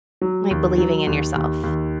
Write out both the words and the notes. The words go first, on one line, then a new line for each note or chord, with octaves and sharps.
Like, believing in yourself.
F#3
D#2
F#3
D#2
D#2
D#2